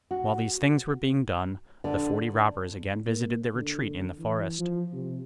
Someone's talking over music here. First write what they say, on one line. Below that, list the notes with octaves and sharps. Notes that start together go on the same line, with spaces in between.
While these things were being done, the forty robbers again visited their retreat in the forest.
F#4
D3
A#3
D3
E3
F3
C3